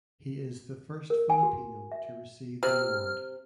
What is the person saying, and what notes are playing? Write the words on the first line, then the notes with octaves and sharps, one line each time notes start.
He is the first Filipino to receive the award.
A#4
G#5
F#4
E5
C3 F6